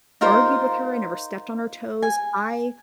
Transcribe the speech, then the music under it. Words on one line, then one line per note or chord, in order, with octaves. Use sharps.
argued with her. I never stepped on her toes. I
D#4 F4 A#4 C5
G#5